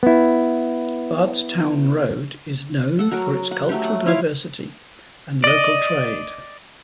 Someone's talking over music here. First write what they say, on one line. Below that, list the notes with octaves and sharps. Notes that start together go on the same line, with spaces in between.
Bardstown Road is known for its cultural diversity and local trade.
B3 E4
A4 F#5
F#3 F#4 A#4
F#5
F#3 A3 G4
F#5
E4 F4 C#5 F5
D5 D#5